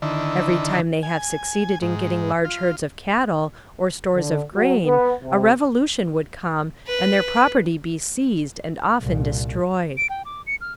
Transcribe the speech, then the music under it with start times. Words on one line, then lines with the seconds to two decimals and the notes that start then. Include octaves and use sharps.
Every time they have succeeded in getting large herds of cattle or stores of grain a revolution would come and their property be seized and often destroyed.
0.02 D3 D#3 E4
1.03 G#5
1.82 G#2
2.45 F4
4.15 D3
4.55 F#3
4.85 B3
5.23 C3
6.87 B4
9.01 C2 A#2
9.97 D7
10.10 G5
10.25 D6
10.47 C#7
10.61 F6